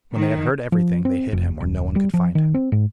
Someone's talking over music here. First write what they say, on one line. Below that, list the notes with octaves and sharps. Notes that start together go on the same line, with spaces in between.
When they had heard everything, they hid him where no one could find him.
D#3
F3
C4
F1
D#1
G3
F3
D#3
C4
G#2